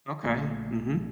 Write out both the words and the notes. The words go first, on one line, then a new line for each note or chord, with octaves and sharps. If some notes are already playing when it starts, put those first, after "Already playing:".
Okay. Mhm.
A#1 A#2 A3